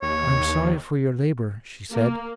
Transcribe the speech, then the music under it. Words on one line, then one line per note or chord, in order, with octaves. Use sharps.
"I am sorry for your labor," she said.
D#2 C#5
A#3